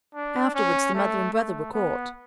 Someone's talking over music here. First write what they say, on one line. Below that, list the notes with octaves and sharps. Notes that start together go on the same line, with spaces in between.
Afterwards the mother and brother were caught.
D4
C#4
A3
A3
B3